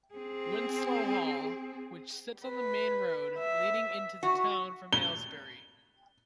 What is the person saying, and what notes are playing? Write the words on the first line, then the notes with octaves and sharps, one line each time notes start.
Winslow Hall, which sits on the main road leading into the town from Aylesbury.
C4 G#4
B4
E5
F#4
G7